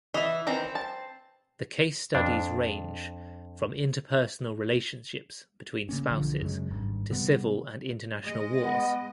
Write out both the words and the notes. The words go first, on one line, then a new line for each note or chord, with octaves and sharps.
The case studies range from interpersonal relationships between spouses to civil and international wars.
E3 D#5 E5
D#3 E3 C4 A#5
A5
F2 D4
C#3 A#3 C#4
B1 D3 F3
F#2 C#3 G#3
G#1 G2
C3 G3 B3
G#3 D#5
B3